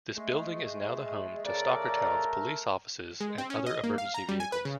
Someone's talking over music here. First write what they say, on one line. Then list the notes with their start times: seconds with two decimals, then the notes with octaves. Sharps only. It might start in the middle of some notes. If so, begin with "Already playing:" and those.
This building is now the home to Stockertown's police offices and other emergency vehicles.
0.17 G#3 A3
1.45 C#3 A3 A#4 D5
3.20 G#3
3.38 C4
3.50 C#4
3.66 D#5
3.84 A#3
3.98 F5
4.14 A#5
4.29 G3
4.40 G#5
4.52 B4
4.65 C#3